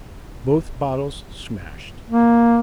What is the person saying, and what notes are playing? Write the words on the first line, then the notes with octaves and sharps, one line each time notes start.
Both bottles smashed.
A#3